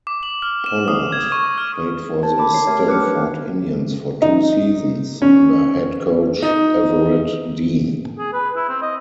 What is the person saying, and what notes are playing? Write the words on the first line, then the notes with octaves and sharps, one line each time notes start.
Pollard played for the Stanford Indians for two seasons, under head coach Everett Dean.
D6
F#7
F6
E7
D#6
G#6
C#6
F6
C5 A5 G#6
A5 B5 D6
C#5 C7
A3 C4 G4 A#4 C#5
D4 B4 C#5 D6 F6 C#7
D6
D#4
C#4
D#4
G#4
B4
E4
C4
D#5